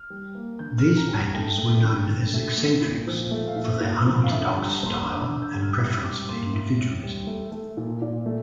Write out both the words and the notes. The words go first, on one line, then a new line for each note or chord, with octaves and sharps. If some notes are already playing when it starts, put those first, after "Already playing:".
These painters were known as "eccentrics" for their unorthodox style and preference for individualism.
Already playing: F6
G3
A#3
D3 G6
F6
D3
A#5
G3 G5
A5
A3 G5
A3
D3
D3
A3
A3
A#2
F3
A3
F5
A#2 E5
A#2
F3
F5
D3 E5
G5
G3 A5
A#5
A#3
C6
D3 D6
E6
D3
G6
G3
F6
A2 E6
G3 D6
A#3 C6
A2
A2
G3
A3
A3
A#2
A#2 D5
A3